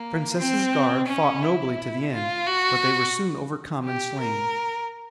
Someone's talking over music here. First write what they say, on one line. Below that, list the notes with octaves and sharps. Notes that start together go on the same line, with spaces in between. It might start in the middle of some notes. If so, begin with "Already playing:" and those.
The Princess's guard fought nobly to the end, but they were soon overcome and slain.
Already playing: A#3
C4
C#4
E4
F4
F#4
G4
A#4